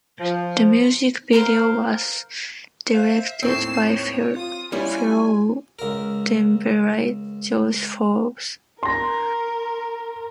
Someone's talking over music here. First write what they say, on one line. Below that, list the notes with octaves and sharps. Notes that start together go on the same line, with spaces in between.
The music video was directed by fellow Denverite Josh Forbes.
F3
A#4 C5 F5
C5 E5 F5
D#2 A2 C4 C#6 C7 E7
C#5
F4 D#6
G3 C#4 E4 G#5
C#2 A#4
A#4 C6 A#6